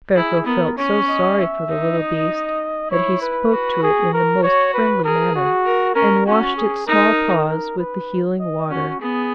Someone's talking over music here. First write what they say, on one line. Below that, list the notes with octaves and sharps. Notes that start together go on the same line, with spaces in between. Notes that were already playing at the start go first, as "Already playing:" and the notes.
Ferko felt so sorry for the little beast that he spoke to it in the most friendly manner, and washed its small paws with the healing water.
E4 G#4
B3 A#4
C#4 C#5
D#5
E5
D#4
D#5
E4 C#5
B4
F#4
G#4
A#4
F#4 C#5
B4
G#4 A#4
F#4
A#4
C#4 A#4
C#4 F#4
G#4
D#4 A#4
A#4
B4
D#5
C#4 F#4
B3 G#4